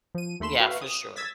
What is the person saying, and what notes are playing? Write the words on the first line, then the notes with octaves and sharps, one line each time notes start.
yeah, for sure.
F3 D#7
D#2 A3 B5 C6 E7
F#4 B4 E5 F5
D#6
E6 G#6 A6 B6